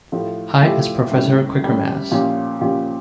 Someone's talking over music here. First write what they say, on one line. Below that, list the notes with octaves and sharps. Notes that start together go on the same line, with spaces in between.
High as Professor Quakermass.
A2 F3 A3 E4 G4
A2 F3 A3 E4 G4
A2 G3 C#4
A2 G3 C#4
A#2 F3 C#4 G4
A#2 F3 C#4 G4